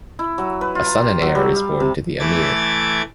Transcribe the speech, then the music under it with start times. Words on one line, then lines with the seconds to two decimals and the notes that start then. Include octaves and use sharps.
A son and heir is born to the "amir".
0.19 E4
0.38 F#3
0.61 B4
0.75 F4
0.86 A#5
1.02 G4
1.22 F#3
1.35 G3
1.56 F5
1.80 C3
2.19 E3 A3 D6 G#6 A6